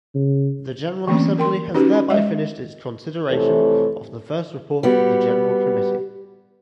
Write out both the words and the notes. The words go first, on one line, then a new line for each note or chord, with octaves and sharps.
The General Assembly has thereby finished its consideration of the first report of the General Committee.
C#3
D3 E3 A3 A#3 C4 C#4
A#4 G5 C6
C#4 D#4 F#4 G4 B4
B5
G#3 D#5 E5
F2 C3 E3 A3 A4 C#5
G3 B3 F#4